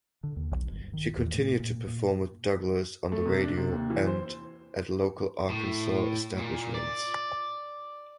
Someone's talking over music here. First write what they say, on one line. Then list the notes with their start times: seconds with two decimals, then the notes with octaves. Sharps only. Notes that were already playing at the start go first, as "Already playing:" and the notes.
She continued to perform with Douglas on the radio and at local Arkansas establishments.
0.23 D3
0.36 D#2
0.52 B1
0.72 G1
0.93 D#3
1.17 E2
1.34 A2
1.60 A#2
1.87 A#2
3.12 A3
3.26 C3
3.41 D4
3.58 C3
3.72 D#2
3.90 E3
4.07 C5
5.50 A2
6.38 A#2
6.75 D5